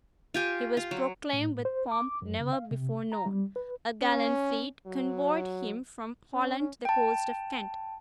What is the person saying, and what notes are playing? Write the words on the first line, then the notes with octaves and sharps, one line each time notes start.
He was proclaimed with pomp never before known. A gallant fleet convoyed him from Holland to the coast of Kent.
F4 G4 G#5
F4
F#3
A2
C5
D6
F#2
C#3
F5
C3
A#5
G3
B4
C#4
F#3
C#4
G5 A5